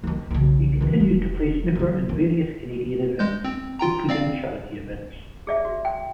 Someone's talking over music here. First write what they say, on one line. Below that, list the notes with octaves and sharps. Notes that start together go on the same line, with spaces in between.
He continues to play snooker in various Canadian events, including charity events.
D#2 D#3
B1 C#3
D#3 E3
E1
D3 F#3
D#3
G#3 G6
C4
F4 G5 A#5
C4 D5 F5
G#4 D5 E5
F#4
G5